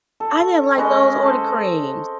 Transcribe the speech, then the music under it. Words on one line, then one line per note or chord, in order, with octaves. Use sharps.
I didn't like those or the creams.
A4
G#3 C#4 B4 D#5
A4 C5